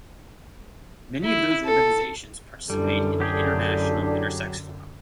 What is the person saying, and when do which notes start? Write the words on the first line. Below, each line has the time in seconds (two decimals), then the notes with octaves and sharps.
Many of those organizations participate in the International Intersex Forum.
1.24 E4
1.65 A4
2.70 A1 F#2 D3 G3 D4 A4
3.20 F#3 G4 G#4